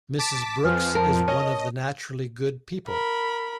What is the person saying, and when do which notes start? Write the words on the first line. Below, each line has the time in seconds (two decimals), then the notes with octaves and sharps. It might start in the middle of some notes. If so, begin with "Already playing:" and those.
Mrs. Brookes is one of the naturally good people.
0.18 A5 D6 B6
0.64 F2 F3 B4 G#5 F6
0.95 A#4 A5
1.28 C#4 D#5
2.87 A#4 B5